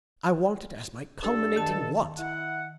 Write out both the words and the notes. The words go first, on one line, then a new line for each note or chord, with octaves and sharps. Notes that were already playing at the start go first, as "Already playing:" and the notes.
I want it as my culminating want.
G2 A4
D#3 A5
E4 F#5